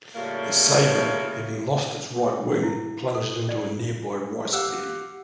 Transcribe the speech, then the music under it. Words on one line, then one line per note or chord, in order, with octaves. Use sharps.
The Sabre, having lost its right wing, plunged into a nearby rice paddy.
A2 C#3 G3 A#3 F4 C#5
E4
A4
D5
G4 F5 F#5 E6